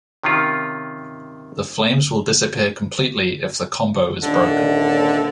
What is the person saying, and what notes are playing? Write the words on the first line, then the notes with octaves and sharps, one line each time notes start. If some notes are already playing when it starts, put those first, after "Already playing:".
The flames will disappear completely if the combo is broken.
C3 D#3 C#4 F4
D#1 D3